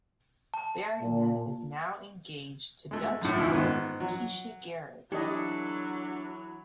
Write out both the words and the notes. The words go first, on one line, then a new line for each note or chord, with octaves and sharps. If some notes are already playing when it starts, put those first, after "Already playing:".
Berryman is now engaged to Dutch model Keshia Gerrits.
A5
A#2
G#3 A3
F#2 A2
D#2 E3 E4
G#2 D#3 B3
F#3
E3 F#3 D4 G4 A4 D#5